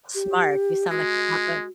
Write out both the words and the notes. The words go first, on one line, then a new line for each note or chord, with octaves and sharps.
Smart. You sound like you have a
G4
G#3 F#4